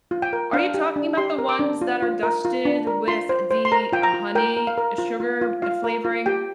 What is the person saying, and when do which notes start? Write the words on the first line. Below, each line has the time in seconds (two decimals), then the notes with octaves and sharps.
Are you talking 'bout the ones that are dusted with the honey, sugar flavoring?
0.11 F4
0.22 G5
0.33 A#4
0.53 D4 F5
0.74 G4
0.96 D4
1.17 G4 C6
1.38 A#4
1.49 D6
1.59 D4
1.81 F4
2.02 F4
2.23 A#4
2.45 F4
2.65 D4
2.87 A#4
3.08 F4 C6
3.29 C5
3.51 C5
3.65 C6
3.72 A#4 A#5
3.92 F4 G5
4.03 A#5
4.14 F4
4.35 A#4 G5
4.57 A#4
4.67 F5
4.78 A#4
4.98 F4
5.20 F4
5.42 F4
5.62 F4 F5
5.84 A#4
6.05 F4
6.26 G4 G5